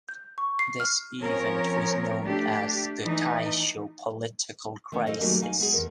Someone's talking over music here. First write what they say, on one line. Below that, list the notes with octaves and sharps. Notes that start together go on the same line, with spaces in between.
This event was known as the "Taisho Political Crisis".
G6
C#6
C7
F6
F3 C4 C#4 A#4 C#5
A3 D4 G4
E3 A3 D#4
D#3 A3 C#4
A4 C5 D#5 F5
D#3 F#3 G3 A3 A#3 C#4
D#4 F5 G#5
G#3 B3 G#4
E2 A#4